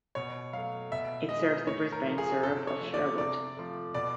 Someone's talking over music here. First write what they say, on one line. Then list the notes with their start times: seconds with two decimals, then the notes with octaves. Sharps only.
It serves the Brisbane suburb of Sherwood.
0.15 B2 C#5
0.53 F#3 A3 F5
0.92 B2 E5
1.29 G#3 D#5
1.67 A2 C#5
1.92 A#4
2.05 F3 A3
2.18 G#4
2.43 C3 A4
2.67 C#5
2.81 F3 A3
2.94 D5
3.18 C3 D5
3.57 F3 A3
3.94 B2 D5